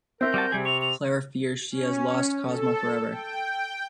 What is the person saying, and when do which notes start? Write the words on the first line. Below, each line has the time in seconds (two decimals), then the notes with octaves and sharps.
Clara fears she has lost Cosmo forever.
0.21 C4 A#4 E5 G6
0.34 G3 F#4 A5
0.52 C3 G3 G#4
0.65 C#6 F7
0.81 F7
1.71 C#4
2.45 A4
3.10 G5